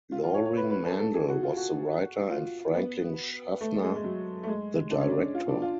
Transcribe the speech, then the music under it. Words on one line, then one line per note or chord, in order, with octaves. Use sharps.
Loring Mandel was the writer and Franklin Schaffner the director.
F4
F4
C#5
C#5
B4
B4
A4
A4
G#4
F#4
F4
F#4
F4
B3
A3
G#3
G#3
F#3
A3
G#3
D4
C#4
D4
F4
D4
F4